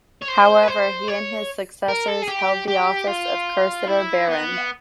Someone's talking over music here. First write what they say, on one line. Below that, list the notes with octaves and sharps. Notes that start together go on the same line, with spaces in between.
However, he and his successors held the office of Cursitor Baron.
C#5
C5
B4
C5
C#5
A#4
A4
G#4
G4
G4
F4
E4
B3